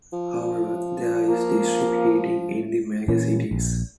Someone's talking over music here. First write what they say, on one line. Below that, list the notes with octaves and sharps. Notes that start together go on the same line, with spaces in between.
However, there is district heating in the major cities.
F3
A#3
A#2 E3 A#3 C#4
A#1